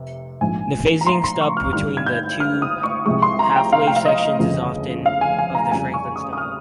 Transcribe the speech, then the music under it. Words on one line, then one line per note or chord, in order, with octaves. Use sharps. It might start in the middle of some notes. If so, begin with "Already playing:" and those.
The phasing stub between the two half-wave sections is often of the Franklin style.
Already playing: F1 C3
A#1 G#2 F3 G#5
A#5
C6
C6
C#6
F6
G1 G2 D#3 G3 F6
G#6
G6
F6
D#6
C#6
C2 C3 F3 G#3 C#6
C6
A#5
G5
F5
G5
F5
D#5
G1 F2 C#3 F3
F5
G#5
G#5
A#5
F2 C#3 G3 G#5
C#6
D#6
D#6
F6